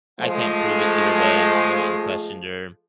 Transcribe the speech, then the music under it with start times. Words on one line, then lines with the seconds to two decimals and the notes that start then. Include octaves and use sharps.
I can't prove it either way, they went and questioned her.
0.20 F3 G#3 A3